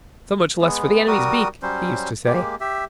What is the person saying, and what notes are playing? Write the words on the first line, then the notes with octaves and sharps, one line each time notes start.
So much less for the enemy's beak, he used to say.
G#3 B3
G3 F#4 A#4 D#6
F#3 G3 C#4 C5
G#3 A#3 G4
G4 E5